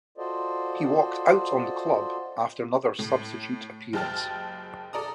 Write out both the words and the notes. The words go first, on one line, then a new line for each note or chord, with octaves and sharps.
He walked out on the club after another substitute appearance.
F4 F#4 A4 C5 D5 D#5
A2
F#1 G#3 G4 A5 F6 A6
A4 D5 A#5 D#6